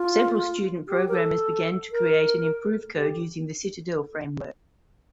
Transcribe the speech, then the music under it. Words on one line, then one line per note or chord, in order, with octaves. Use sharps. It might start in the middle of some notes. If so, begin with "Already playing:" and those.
Several student programmers began to create an improved code using the Citadel framework.
Already playing: F4
G4
A#4
A4
A#4
G4